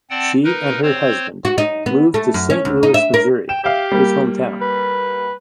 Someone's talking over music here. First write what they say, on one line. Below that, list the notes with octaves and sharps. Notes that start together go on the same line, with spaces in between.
She and her husband moved to Saint Louis, Missouri, his home town.
C4 D5 F#5 G5 A5
D#4 A#4 B4
C4 C5 C#5
F#4
D#4
B3
A3
F#2
C#4
D2
D#4
E5
A#4
G5 E7
G4 E5 F5
G3 A#3
B4